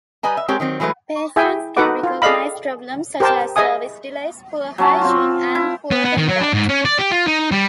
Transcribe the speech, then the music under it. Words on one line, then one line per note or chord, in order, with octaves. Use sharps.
Patients can recognize problems such as service delays, poor hygiene, and poor conduct.
G3 B4 D#5 G#5 A#5
E5
G#3 C4 G4 A#4 C#5
D#3 F#3 C4
E3 F#3 G#3 A3 B4
E4 G#4 E5 G5 G#5
D#4 F#4 A4 B4 F#5 D6
F4
G#4 A4 D5 D#5 F5 B5
G4 A#4 C5 G5 A5
G#4 D#5 E5 G#5 D#6
F#3 C#4 A5
C4 F4
E4
B3
B3
D#3
F#3
D4
G#2
C#4
D5
G4
F4
D#4
G3